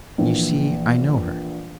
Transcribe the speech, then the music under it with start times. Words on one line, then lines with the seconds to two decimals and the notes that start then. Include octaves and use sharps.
You see I know her.'
0.18 A#1 E3 A#3